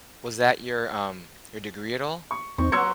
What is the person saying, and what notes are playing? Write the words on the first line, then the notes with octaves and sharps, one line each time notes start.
was that your, um, your degree at all
C#6
E2 C4 D#4 C#6
F#3 B4 F#5 A#5 C6 E6 G#6 C#7